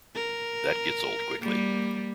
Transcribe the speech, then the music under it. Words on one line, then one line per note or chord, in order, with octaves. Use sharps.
That gets old quickly.
A#4
G3 A#3